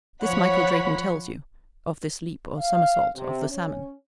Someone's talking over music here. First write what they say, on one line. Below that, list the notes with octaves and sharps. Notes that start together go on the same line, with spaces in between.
This Michael Drayton tells you, of this leap or summersault of the Salmon.
F3 C#5 F#5 B5 B6
F5
C3
C#4